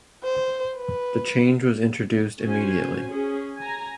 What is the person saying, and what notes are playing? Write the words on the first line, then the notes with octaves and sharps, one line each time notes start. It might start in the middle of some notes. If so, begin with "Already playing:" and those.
The change was introduced immediately.
C5
B4
C#4 F#4 C5 G#5
C#4 G#4
G#5 A#5